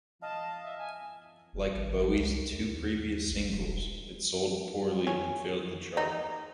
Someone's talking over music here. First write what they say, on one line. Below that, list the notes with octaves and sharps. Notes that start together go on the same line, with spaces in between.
Like Bowie's two previous singles, it sold poorly and failed to chart.
D#5 F5 A5
E5
G#5
F1
G#1
C2
D#2
D#2
A1
D#1
C#4
D#4